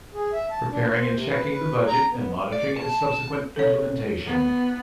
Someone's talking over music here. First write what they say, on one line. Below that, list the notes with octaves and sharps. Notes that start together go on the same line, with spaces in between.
Preparing and checking the budget and monitoring its subsequent implementation.
G#4
E5
A5
D4
C5
C3
B4
B4
A#5
B3
D5
A5
A4 C#5
B3